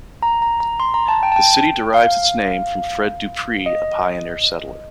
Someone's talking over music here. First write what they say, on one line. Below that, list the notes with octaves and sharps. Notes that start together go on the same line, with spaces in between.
The city derives its name from Fred Dupris, a pioneer settler.
A#5
A#5
A#5
C6
A#5
A5
G5
A5
G5
F5
D#5